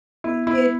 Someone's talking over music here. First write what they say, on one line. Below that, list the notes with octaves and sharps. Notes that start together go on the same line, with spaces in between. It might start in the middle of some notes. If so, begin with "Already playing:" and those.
i it
B3 E4
B3 E4